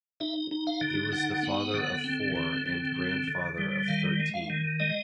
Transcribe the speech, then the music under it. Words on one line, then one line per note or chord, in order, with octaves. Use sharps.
He was the father of four and grandfather of thirteen.
D#4 E5
D#4
F5
D3
D#4 F#5
B3
D3
C4
D3
C4
D3
D3
G3
D#3 F5
G#3
F5
D#3
G#3 D#5